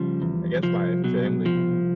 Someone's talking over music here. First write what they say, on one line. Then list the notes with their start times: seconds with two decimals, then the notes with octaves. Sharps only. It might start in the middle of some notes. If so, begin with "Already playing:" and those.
a I guess my family
Already playing: C#3 F3 G3
0.22 E2
0.63 C2 F3
1.04 B2 F#3
1.45 C2 F3